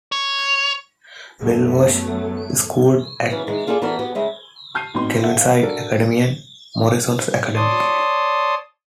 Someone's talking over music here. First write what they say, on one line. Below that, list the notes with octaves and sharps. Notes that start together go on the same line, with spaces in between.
Bell was schooled at Kelvinside Academy and Morrison's Academy.
C#5
F#2 F#3 A3 B3
C#3 E3 F#3 B3
E3 G#3 D#4
A#3 F4 G#4 A4 C5 D5
E3 B3 D4 F#4 A4 A#4
B3 F#4 G4
C#3 G#3 E5
A5 F6 G6 C7 D#7
G#1 A2 F#3 B3 D#4 C6
A4 E5 F#5
F5
D4 F#4 A4 A#4
C#5 D5 A5 C6 D#6